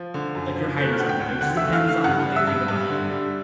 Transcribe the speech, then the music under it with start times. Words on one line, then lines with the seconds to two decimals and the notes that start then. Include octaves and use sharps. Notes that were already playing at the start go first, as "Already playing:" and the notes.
like, you're hiding something," like, just depends on what they think about you,
Already playing: F3
0.14 D3
0.35 F#2
0.56 F3
0.77 A3 G6
0.85 F#6
0.93 F6
0.98 D3 F#5 F#6
1.09 G5 G6
1.20 D2
1.41 D3 F#5 F#6
1.57 E5 E6
1.62 A3
1.73 F5 F6
1.83 A3
1.89 F5 F6
2.04 G2 F#5 F#6
2.25 G3
2.36 E5 E6
2.47 G2
2.68 G2
2.89 D3
3.10 G3